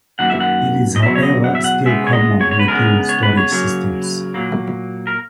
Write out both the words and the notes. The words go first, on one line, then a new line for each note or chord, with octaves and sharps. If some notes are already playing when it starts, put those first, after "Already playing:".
It is however still common within storage systems.
F#2 D#3 A#3 F#5
E5
F#5
D#5
E2 B2 F#3 E5
C#5
D#5
F#5
E5
F#5
C#3 G#3 B3 E5
C#5
D#5
C#5
C#5
B4
C#3 G#3 B3 A#4
C#5
B4
C#5
C#3 F#3 A#3
A#2 F#3 A#3
A#4